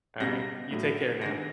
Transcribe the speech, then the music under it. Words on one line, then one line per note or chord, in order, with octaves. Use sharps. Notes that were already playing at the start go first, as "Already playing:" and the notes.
Alright. You take care now.
C#2 B2 G3 A#6
A2 F#3 A3
G2 D#3 G#3 A#6